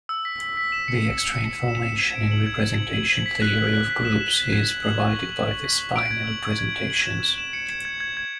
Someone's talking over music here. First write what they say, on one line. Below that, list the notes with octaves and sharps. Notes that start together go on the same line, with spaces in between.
The extra information in representation theory of groups is provided by the spinor representations.
E6
B6
B6
B6
E7
C#7
C#7
C#7
C#7
C#7
E7
E7
G#6
D7
F#7
G#6
G#6
F#7
F#7
F#7
B6
F#6
B6
F#6
B6
E7
E7
B6
G#6
F#7
F#7
C#6
F#7
F#7
F#7
B6
F#7
D7
G#6
F#7
G#6
G#6
D7
F#7
E7
E7
E7
C#7
G#6
G#6
G#6
G#6